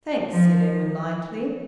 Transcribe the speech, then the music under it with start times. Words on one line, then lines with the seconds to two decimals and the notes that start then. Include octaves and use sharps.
"Thanks," said Edwin lightly.
0.30 F3